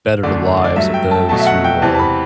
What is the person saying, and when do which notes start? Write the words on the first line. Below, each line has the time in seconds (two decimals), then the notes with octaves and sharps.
better the lives of those who are
0.23 E2 D3 A3 D5
0.64 D5
0.76 G2 F#3 A3 E5
0.94 G5
1.11 A5
1.29 B2 F#3 A3 A5
1.39 E5
1.47 F#5
1.64 G5
1.82 E2 C3 E3 A5
1.95 A5
1.99 B5